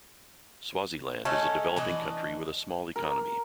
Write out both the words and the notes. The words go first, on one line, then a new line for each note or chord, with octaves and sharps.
Swaziland is a developing country with a small economy.
G#3 A3 C#4 D#4 A4
E3 D4 D#5
A#4